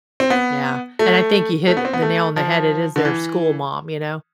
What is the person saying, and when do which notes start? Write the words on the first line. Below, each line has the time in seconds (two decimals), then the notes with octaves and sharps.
Yeah, and I think you hit the nail on the head, it is their school mom, you know?
0.20 C4
0.30 B3
0.99 A3
1.68 A3
1.77 B3
1.85 C4
1.93 B3
2.02 A3
2.36 F3
2.96 D3
3.05 E3